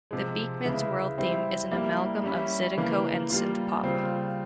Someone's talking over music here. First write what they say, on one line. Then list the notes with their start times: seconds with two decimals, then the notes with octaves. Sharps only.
The "Beakman's World" theme is an amalgam of Zydeco and Synthpop.
0.11 C3 F3 G#3
0.65 C#3 E3 G#3 E4
1.18 G3 C4 E4
1.71 G3 A#3 E4
2.24 G3 C#4 E4
2.77 C#3 E3 A#3
3.30 G3 A#3 F4
3.83 C#3 G3 C4 F4